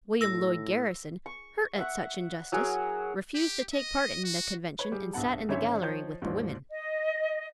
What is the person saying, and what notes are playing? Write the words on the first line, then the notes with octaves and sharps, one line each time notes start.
William Lloyd Garrison, hurt at such injustice, refused to take part in the Convention, and sat in the gallery with the women.
A2 E6 A#6
C#6
E5 F#5 C#6
F#3 F#4 G#4 A#4
G4
D#5
F#4
B4 C#5
G3 G#4
C2 G2 B3 F#5 A5
G#1 D3 C#4 C#5 E5
F3 D#4 C#5 D#5 G5 G6
D#2 G#2 F3 F#3 D4
D#5